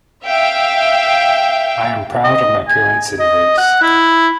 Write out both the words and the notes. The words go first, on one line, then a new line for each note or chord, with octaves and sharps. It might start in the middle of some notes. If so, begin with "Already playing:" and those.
I am proud of my parents and roots.
E5 F5 G5
D#5
G#5
D#5
F#5
E4